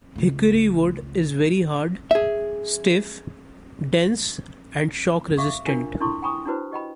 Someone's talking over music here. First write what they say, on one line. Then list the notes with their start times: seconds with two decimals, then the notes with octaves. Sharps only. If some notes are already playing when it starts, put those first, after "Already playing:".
Hickory wood is very hard, stiff, dense and shock resistant.
0.16 C#2 A3
2.11 G#4 E5
5.37 E5 F5 C#6 D6
5.66 D4 F4 A#4 G#5
6.00 D4 E4 A4 C6 C#6
6.22 G5 G#5 A#5 B5 C#6 D#6
6.45 D4 E4 F#4 B4 C5
6.71 G4 D#5 G5 B5